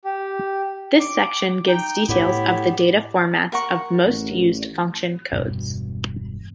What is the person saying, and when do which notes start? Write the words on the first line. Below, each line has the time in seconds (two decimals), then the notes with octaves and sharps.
This section gives details of data formats of most used function codes.
0.04 G4
1.00 D6
1.68 D#4 G5 G6
2.09 A2 B3 E4 G4
3.52 A#4 F#5 C#6
4.04 A1
5.33 E1 G2 B2